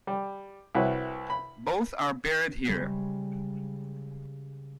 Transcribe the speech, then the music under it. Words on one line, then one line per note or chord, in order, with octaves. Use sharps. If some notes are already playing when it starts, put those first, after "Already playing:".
Both are buried here.
G3
C2 F#4 B4 C#5 E5
B5
C#3 G3 G#3